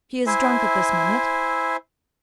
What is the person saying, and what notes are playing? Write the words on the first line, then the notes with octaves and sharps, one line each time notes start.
She is drunk at this minute.
E4 C5 E5 G#5